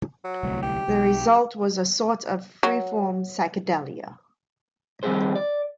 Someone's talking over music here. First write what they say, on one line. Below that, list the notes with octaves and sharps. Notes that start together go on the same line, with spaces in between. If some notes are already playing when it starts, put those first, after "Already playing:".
The result was a sort of freeform psychedelia.
F#3
D1 C2 A2
G4
B1
F#3
D#3 G3 C4 G4 G#4 C5
D5